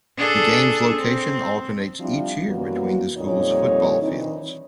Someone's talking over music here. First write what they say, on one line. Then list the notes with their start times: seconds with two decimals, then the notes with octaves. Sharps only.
The game's location alternates each year between the schools' football fields.
0.17 D4 G#4 A4
0.98 C4
2.00 F3 G3 C4 D4 E4 F4
2.48 F#2 E3 G3 A#3 B3 F#4
3.17 F2 A#2 G3 D#4 C#5
4.02 D#3 E3 C4 D4 D#4